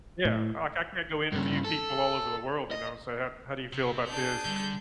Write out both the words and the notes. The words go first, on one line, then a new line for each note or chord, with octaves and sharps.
Yeah, like, I can't go interview people all over the world, you know, and say, "How how do you feel about this?"
A2
G2 C#3
A4
D#5
C3
D4 G#4 G6
D3 G3